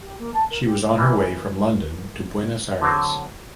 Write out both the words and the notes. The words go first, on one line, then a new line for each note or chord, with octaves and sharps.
She was on her way from London to Buenos Aires.
G4
A#3
A5
A#4
G4
E3 A#3
D3 F#3 C4